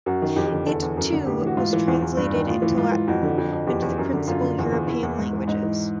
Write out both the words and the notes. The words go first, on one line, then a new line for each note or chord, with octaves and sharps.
It, too, was translated into Latin and the principal European languages.
F#2 F#4
D#3
F2 G4
G4
D3
E2 A4
E2
F#2
D3
A2 G4
E3 F#4
G#2 F4
E3
E2
E2
G2
D#3
A2 F4
E3
G#2 F4
E3
F2 F#4
D3
F2
F2
E2 G4
E2
F#2
D3
F#2 F4
D3
E2
E2
E2 E4
E2
G#2
E3
G#2 D#4
E3